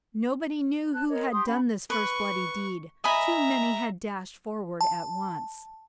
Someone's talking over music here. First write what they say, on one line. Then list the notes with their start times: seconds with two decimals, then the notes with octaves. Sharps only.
Nobody knew who had done this first bloody deed; too many had dashed forward at once.
0.82 E4
0.94 A5 F#6
1.08 A#4 C#5 D#5
1.31 G4 C6 D#6
1.46 C#4 G4 F#5 B5
1.90 B4 C#6
3.04 D#5 E5 G#5 A#5 B5
4.81 A5